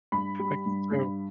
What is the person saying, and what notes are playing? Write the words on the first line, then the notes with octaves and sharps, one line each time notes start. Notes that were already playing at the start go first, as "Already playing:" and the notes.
Like, so
G2 B5
G3
G2
G2